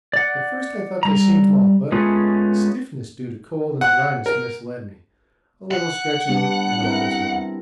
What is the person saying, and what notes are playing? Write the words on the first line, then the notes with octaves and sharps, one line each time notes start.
At first I thought they seemed small, but a stiffness due to cold and dryness misled me--a little stretching and all was well.
D5 F#5
G3 A#5
G#3 A3 B3 C#4 F4 G#4
F#5
A#4
F#5
G3 B3 D4
C4 E4 A#4